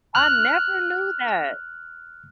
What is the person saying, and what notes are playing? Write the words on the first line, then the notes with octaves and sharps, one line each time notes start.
I never knew that.
F6 F#6